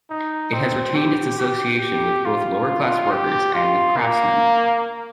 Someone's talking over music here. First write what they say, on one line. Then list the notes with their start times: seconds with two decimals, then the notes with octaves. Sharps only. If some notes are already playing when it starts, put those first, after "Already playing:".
It has retained its association with both lower class workers and with craftsmen.
0.10 D#4
0.53 C4
0.96 G4
1.39 G4
2.25 F4
3.11 G4
3.54 F4
3.97 A#3